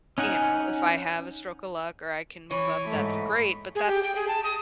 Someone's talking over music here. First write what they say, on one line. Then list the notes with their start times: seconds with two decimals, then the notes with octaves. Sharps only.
eh you know, if I have a stroke of luck or I can move up, that's great, but that's uh,
0.18 C#4 D#4 F#5 G#5
2.51 E3 C#5
2.89 G#2 A3
3.75 G#4
3.87 G4
4.03 G5
4.16 G#4
4.28 A5
4.44 D#6